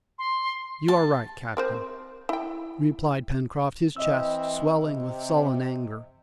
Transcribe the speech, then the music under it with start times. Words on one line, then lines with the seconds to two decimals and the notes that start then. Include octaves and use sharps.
"You are right, captain," replied Pencroft, his chest swelling with sullen anger.
0.18 C6
0.88 A5
1.57 C4 A#4 C5
2.29 E4 G5
3.96 E3 C4 D#5 E5 E6
4.83 C3